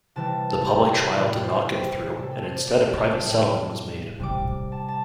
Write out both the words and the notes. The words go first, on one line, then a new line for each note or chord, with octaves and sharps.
The public trial did not go through, and instead a private settlement was made.
C3 E3 G3 A5
A4
G4
A4
A2 E3 G3 D5
C5
G4
C3 G3 A4
A4
C5
D5
D5
E5
A5
A2 G3
C3 G3 D6
A5
A5